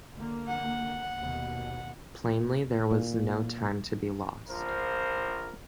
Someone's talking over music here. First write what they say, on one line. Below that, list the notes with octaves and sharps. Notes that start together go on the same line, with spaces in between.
Plainly there was no time to be lost.
D3 A#3
F#5
D#2 B2
A#2
A#1 F3 A#4 C5